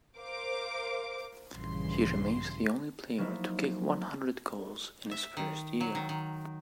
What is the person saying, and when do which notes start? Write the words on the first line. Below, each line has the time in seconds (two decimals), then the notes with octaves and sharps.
He remains the only player to kick one hundred goals in his first year.
0.17 A#4 C5 F5 D6
1.52 A#1 G2 C#3 E3 C6
3.18 F3 F#3 A#3 D#4 E4
5.11 E5
5.37 D#3
5.80 F#3
5.95 D#3
6.09 D#3